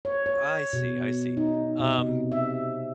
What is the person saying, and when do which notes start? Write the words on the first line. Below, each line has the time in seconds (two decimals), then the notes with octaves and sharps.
I see, I see. Um,
0.05 C#5
0.26 C#5
0.73 B2
1.37 D#4
1.80 B2
1.98 C3
2.32 E5